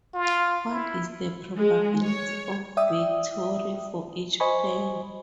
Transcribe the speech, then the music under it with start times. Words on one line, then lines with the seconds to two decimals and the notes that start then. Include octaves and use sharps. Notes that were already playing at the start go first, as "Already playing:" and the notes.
What is the probability of victory for each player?
0.14 F4
0.69 E4
1.56 G#3
2.03 C#5
2.77 D5 E5 G5 D#6
4.40 C5 D#5 G#5 B5 C#6